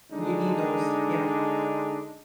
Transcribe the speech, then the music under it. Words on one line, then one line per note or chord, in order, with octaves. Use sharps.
You need those. Yeah.
D3 G#3 D4 D#4